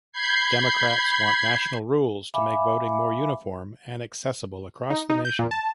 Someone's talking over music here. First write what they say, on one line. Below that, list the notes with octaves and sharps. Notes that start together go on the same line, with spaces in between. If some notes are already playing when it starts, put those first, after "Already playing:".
Democrats want national rules to make voting more uniform and accessible across the nation.
B5 G6 G#6 C7
E5 F5 G#5 B5 D6
D#4
D#4
G6
A#2
A5